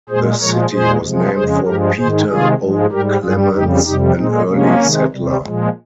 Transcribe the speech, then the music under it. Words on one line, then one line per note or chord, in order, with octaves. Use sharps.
The city was named for Peter O. Clements, an early settler.
A#2 G#3 G#4 C5
A#2 F3 G#3 A#4 C#5
A#2 G#3 G#4 C5
C3 F3 G#3
F2 C#3 G#3 G#4 C5
G2 F3 G#3 G4 A#4
G#2 D#3 G#3 G#4 C5
C3 D#3 G#3 F4 G#4
G#2 F3 G#3
G#2 G3 G4 A#4
G2 G3 F4 G#4
F2 C#3 G3 D#4 G4
F2 C3 G3 D#4 G4
A#2 G#3 C4 D#4
C3 F3 G#3 A#3 C#4
C3 D#3 G#3
C3 G3
A#2 F3 G#3